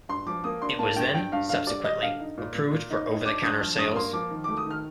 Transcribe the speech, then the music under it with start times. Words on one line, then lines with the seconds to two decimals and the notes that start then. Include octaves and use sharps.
It was then subsequently approved for over-the-counter sales.
0.09 G2 C6
0.26 F3 D6
0.44 A#3 D#6
0.62 D4 C6
0.79 A#3 A5
0.96 G2 G5
1.14 G2 G5
1.32 G2 F5
1.49 D3 F5
1.67 G3 D5
1.84 G3 D#5
2.02 D3 F5
2.20 D#4
2.38 A#2
2.55 A#2
2.72 A#2
2.90 D#4
3.08 D#4
3.25 D4 D6
3.43 G2 D#6
3.60 F3 F6
3.78 G2 D#6
3.96 A#3 C6
4.13 F3 D6
4.31 D#3
4.44 A3 D6
4.57 D#6
4.66 D#3 F6